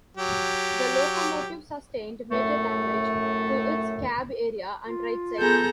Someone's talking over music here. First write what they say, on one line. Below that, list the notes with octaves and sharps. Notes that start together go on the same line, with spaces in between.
The locomotive sustained major damage to its cab area and right side.
F#3 G4
F#2 A2 A3
F4
B3 G#4 A4 A#5 G6